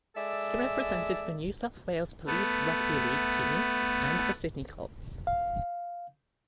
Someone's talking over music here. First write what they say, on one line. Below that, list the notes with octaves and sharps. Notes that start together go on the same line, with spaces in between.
He represented the New South Wales Police rugby league team and the Sydney Colts.
G#3 A4 D5 E5
A3 B3
F5